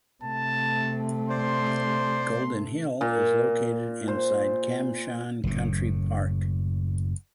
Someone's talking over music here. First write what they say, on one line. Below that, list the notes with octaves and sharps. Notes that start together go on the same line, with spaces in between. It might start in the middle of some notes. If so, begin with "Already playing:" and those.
Golden Hill is located inside Kam Shan Country Park.
C3 A3 A5
C5 D5 C6
A#2
C5
F#1 A2